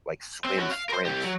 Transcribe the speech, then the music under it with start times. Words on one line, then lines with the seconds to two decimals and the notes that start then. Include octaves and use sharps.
like swim sprint
0.45 C4
0.59 C#4 F#4
0.72 F5
0.89 A#4 C5
1.05 C2 G4
1.24 F#3